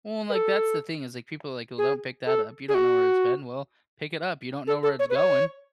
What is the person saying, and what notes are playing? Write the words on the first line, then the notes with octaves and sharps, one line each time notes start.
Well, like, that's the thing is like people like, "Well, don't pick that up, you don't know where it's been." well, pick it up, you don't know where it's going.
B4
A4
G#4
A4
G#4
F#4
A4
A4
C#5
B4
C#5